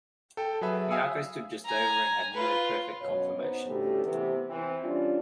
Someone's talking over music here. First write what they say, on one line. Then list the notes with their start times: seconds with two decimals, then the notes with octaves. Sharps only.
Nearco stood just over and had nearly perfect conformation.
0.37 A4 G5
0.61 F#3 G#4 B4 E5
0.91 E5 F5 G#5 D#6 E6
1.65 G#5 A#5
2.33 F4 B4
3.01 F#2 B2 C#5
3.38 B3 D#4 C5
3.67 D2 A2 C#3 G3 A3 G4
4.04 C3 E3 B3
4.50 E3 C4
4.84 G3 C#4 D4 F4